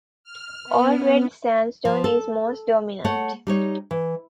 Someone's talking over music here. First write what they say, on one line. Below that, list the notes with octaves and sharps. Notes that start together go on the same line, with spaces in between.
Old red sandstone is most dominant.
F6
B3
F3
A4
A3 C#5 F#5
G3 D#4 C#5
E3